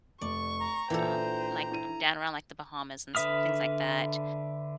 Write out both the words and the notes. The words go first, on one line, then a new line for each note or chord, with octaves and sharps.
um, like, down around, like, The Bahamas and s things like that
F1 D5 C#6
A#5
A#2 E3 D4 A4 C5 G5 F7
E4 D#7
D3 B4 E5 D#6 F6